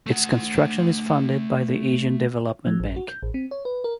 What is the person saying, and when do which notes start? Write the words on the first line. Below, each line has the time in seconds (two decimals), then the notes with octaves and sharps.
Its construction is funded by the Asian Development Bank.
0.06 A3 F#5
2.67 F3
2.80 A1
2.96 F#4
3.09 G6
3.23 A1
3.34 C4
3.51 C#5
3.65 B4
3.84 A#4